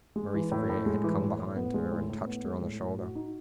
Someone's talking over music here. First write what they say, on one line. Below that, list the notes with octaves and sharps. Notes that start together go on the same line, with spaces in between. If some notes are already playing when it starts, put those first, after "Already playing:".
Maurice Frere had come behind her and touched her on the shoulder.
G#3
E3
A2
A2
G#3
E3
A2
A2
B3
G#3
A2
A2
B3
G#3
A2
A2
F#4
D#4